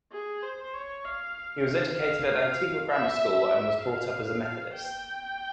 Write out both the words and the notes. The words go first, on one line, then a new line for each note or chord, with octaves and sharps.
He was educated at Antigua Grammar School and was brought up as a Methodist.
G#4
C5
C#5
F5
F5
E5
F5
G5